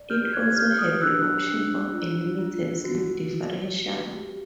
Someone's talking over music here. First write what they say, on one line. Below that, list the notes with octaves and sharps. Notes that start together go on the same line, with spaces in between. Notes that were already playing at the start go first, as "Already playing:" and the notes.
It also had the option of a limited slip differential.
Already playing: D5
G4 F6 G6
F#6 G#6
G4 F6 G6
D#6 F6
D4 E6 F#6
D4
F4
F4
F#4
F#4
G4
G4